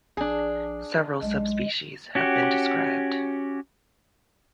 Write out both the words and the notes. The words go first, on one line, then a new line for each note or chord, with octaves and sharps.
Several subspecies have been described.
A#1 D4 G#4
B1 G#3
C#4 F#4 G4